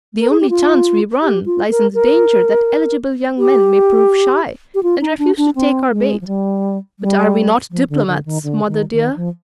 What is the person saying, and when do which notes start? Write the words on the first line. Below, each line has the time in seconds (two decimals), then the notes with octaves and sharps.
The only chance we run lies in the danger that eligible young men may prove shy, and refuse to take our bait; but are we not diplomats, mother dear?
0.20 A#4
0.30 G#4
0.41 G4
0.50 F4
1.22 G4
1.46 F4
1.70 A#4
1.95 A#4
3.38 G4
4.75 G4
4.83 F4
5.01 D#4
5.19 D4
5.37 D4
5.55 C4
5.91 G#3
6.21 F3
6.27 G3
6.99 G3
7.71 F3
7.89 D3
8.07 D3
8.25 D#3
8.43 D3
8.68 D#3
8.92 D#3
9.16 F3